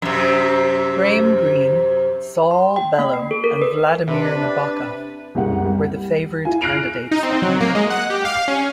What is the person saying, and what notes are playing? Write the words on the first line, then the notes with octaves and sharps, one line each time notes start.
Graham Greene, Saul Bellow and Vladimir Nabokov were the favoured candidates that year.
F#2 C3
C6
G5
A#3
C7
A4
A#4
B4
C3 D4 B4
F#1 C2 G4 F#5
G3
E4 F4 G#5
F6 F#6 A#6 C7 D7 F7
D#4
C4
F#3
A#3
G#3
F#5
G4
F5
C#4